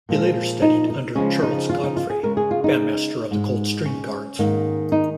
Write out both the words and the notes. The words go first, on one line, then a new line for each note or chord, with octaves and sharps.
He later studied under Charles Godfrey, bandmaster of the Coldstream Guards.
A#2 F3 G#3
D#4
D#4
C#3 F3 G#3 C#4
D#4
F4
D#4
F4
G#4
C#3 G#3 A#4
G#4
F4
D#4
G#2 G#3
C#4
G#2 D#3 A#3
D#4